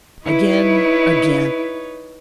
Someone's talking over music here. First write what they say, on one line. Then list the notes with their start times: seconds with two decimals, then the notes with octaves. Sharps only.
Again! again!
0.25 D#4 E4 B4 C#5